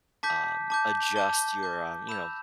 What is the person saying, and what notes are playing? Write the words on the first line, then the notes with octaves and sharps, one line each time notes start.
um, adjust your, um, you know,
A5 D6 G6 B6
A5 D6 G6
A5 D6 G6 G7
A5 D6 G6
B5 E6 G6 E7